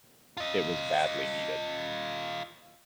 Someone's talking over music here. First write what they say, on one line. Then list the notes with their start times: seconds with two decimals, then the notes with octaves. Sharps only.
It was badly needed.
0.37 F4 D#5